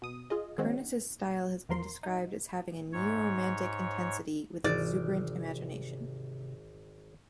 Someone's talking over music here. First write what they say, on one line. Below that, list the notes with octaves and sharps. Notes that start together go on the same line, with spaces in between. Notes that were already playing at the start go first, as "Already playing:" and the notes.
Kernis's style has been described as having neo-romantic intensity with exuberant imagination.
B2 D#6
F4 G#4 D#5
D#3 G#3 C4 C#4 F#4
E2 F3 A#4 C6
D#4
G#2 C#5
G#1 C3 E3 D5